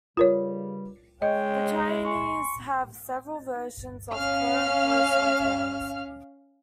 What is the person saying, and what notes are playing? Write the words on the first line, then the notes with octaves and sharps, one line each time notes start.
The Chinese have several versions of crow and crow-Sun tales.
G2 C#3 G3 F4 A#4 C#5
G#3 C#5 D#5 G5
G#5 C6 C#6
C#4 F5 F6